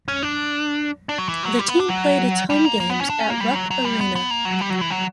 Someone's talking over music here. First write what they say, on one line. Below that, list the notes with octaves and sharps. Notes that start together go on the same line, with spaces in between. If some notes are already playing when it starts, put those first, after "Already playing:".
The team played its home games at Rupp Arena.
C#4
D4
D4
F#3
E3
F#3
G3
B3
D4
F#3
G3
A#3
A#3
B3
C#4
D4
C#4
A#3
G3
F#3
F#3
G3
B3
B3
A#3
F#3
G3
F#3
E3
F#3